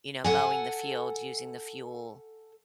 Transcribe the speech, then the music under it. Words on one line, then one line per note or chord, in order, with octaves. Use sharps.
you know, mowing the fields, using the fuel,
A4 F#5 G#5